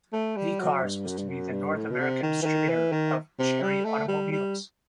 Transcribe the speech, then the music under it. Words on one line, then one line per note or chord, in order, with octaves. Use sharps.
V Cars was to be the North American distributor of Chery Automobiles.
A3
G3
F#3
G2
F#2
G2
F#2
G2
A2
B2
C3
D#3
E3
D#3
E3
D#3
C3
G3
A3
G3
G3